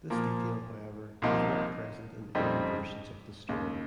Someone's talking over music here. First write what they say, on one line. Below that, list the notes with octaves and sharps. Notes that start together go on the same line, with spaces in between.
This detail, however, is not present in early versions of the story.
A#2 F3 A#3
C2 C3 F3 A#3 D#4
F2 C#3 G3 C4 D#4
D#2 C#3 G#3